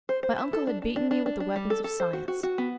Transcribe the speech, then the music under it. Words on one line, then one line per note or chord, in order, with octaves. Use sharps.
My uncle had beaten me with the weapons of science.
C5
C5
E4
A4
D4
D4
D4
D4
D4
D4
G3
A4
A4
C5
F#4
F#4
F#4
B3